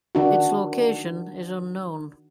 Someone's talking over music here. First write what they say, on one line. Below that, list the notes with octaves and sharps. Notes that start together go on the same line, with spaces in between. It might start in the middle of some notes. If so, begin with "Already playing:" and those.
Its location is unknown.
D#3 D4 F#4